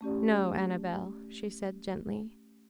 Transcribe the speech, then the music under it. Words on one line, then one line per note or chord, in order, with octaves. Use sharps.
"No, Annabel," she said gently.
A3 C#4 G4 D5